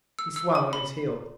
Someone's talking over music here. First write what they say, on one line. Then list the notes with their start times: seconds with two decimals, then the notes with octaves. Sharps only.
He swung on his heel.
0.19 E6
0.36 E6
0.55 G#5
0.73 B5